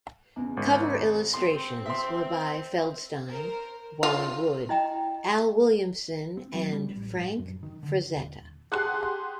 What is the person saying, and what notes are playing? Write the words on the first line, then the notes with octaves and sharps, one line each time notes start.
Cover illustrations were by Feldstein, Wally Wood, Al Williamson and Frank Frazetta.
E2 C#3
G#1
C4 C6
E5 C6
A#4 C5
F4
E4 D#5 G5 A#5
C4
F#3
G3
A1
G2
F#2
D#3
D3
D#1
G4 G#4 F#5 A5 C6 F#6